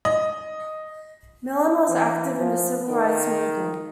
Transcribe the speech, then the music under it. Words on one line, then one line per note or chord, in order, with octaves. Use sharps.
Millen was active in the civil rights movement.
D#5
E3
F3
D#3